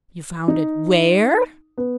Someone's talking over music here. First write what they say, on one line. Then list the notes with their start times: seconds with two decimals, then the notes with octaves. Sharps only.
"You found it--WHERE?"
0.48 D#4
1.78 B3